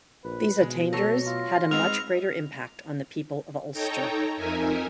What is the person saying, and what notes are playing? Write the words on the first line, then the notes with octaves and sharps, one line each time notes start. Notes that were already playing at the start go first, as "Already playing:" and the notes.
These attainders had a much greater impact on the people of Ulster.
A#1 B4
B2 G#3
F#3 A3 A4 C#5 A#6
F4
G#3 B3 C4 D#4 F6 F7
D#4 A4 C#5 G5 A#5
F2 D#4 A#4 E5 G#5